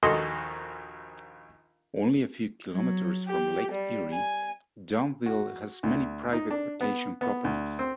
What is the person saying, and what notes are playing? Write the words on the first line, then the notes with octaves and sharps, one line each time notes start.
Only a few kilometres from Lake Erie, Dunnville has many private vacation properties.
A#1 D#2 F#4 A4 D#5 C6
F#3
G4
G3
G#5
F#4
D2
D#4
D4
B3
B3
D2
C4